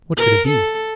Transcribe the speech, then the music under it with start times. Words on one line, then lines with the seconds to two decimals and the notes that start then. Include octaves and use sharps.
What could it be?
0.17 A#4
0.48 A4